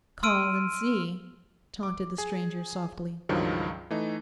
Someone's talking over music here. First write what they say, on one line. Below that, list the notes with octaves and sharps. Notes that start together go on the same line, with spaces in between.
'Call and see!' taunted the stranger softly.
C6 E6 F6 D7 D#7
D6
G#4
C#2 G2 D#3 F3 F#3
E3 A3 D#4